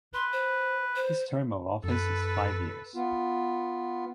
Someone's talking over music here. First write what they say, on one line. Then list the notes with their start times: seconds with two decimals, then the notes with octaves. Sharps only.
His term of office is five years.
0.14 B4 C6
0.33 C5
0.96 C5
1.84 F#2 A4 B4
2.94 B3 F4